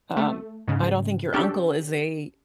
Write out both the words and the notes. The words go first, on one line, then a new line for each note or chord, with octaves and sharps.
Um, I don't think your uncle is a
A3
G#2 C#3
C#4 D4 G4 A4